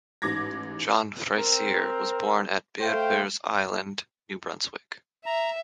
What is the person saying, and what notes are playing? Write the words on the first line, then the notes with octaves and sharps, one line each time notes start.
John Fraser was born at Beaubears Island, New Brunswick.
A1 G#2 D6 G#6 A#6
C4 A#4
A3 C5 F5 G5
E5 A#5